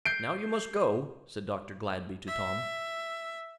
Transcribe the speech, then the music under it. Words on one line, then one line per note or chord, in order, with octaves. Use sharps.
"Now you must go," said Dr. Gladby to Tom.
G6 C7 D7
E5